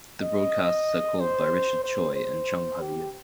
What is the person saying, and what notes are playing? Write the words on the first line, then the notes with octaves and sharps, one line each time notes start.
The broadcasts are called by Richard Choi and Chong Ho Yim.
D#5
C5
C5
C5
G4